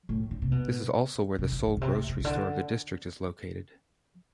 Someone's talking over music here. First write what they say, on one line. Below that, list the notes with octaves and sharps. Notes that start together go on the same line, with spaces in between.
This is also where the sole grocery store of the district is located.
A2
D3
C3
B2
C3
D3
A2
B2
C3
A2
C3
C3
D3